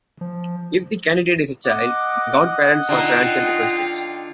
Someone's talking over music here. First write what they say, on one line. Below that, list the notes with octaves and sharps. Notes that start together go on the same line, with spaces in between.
If the candidate is a child, the godparents are to answer the questions.
F3
D#5 F#5 D6
D3 D#4 F4 G5